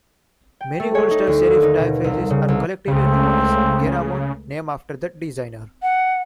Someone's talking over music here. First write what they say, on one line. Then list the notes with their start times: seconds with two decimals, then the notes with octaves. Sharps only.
Many old-style serif typefaces are collectively known as Garamond, named after the designer.
0.61 G5
0.80 A3
0.95 C#5
1.11 D#4
1.27 D2
1.48 D#2
1.63 D#4
1.79 B2
2.04 C2
2.30 C#3
2.48 C2
2.88 C#2 C#3 A3 C4
5.83 F#5